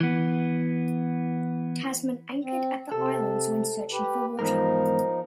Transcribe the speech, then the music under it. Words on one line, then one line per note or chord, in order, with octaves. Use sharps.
Tasman anchored at the islands when searching for water.
E3 B3
C4
C3 A4
G4 B4
E2 G#2 F3 D#4 A#4